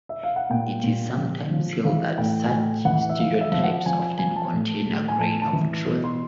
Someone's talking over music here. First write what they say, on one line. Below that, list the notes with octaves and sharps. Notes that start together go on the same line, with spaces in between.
It is sometimes held that such stereotypes often contain a grain of truth.
E5
F5
F#5
A#2 G5
A#2
F3
F3
E3 F5
A2 G5
G#5
A2 G5
E3 F#5
E5
F3 F5
E5
F3
F#5
F3 G#5
G#5
F3 G#5
A5
A2
A2
G#5
A2 A5
A5
E3
B2
C6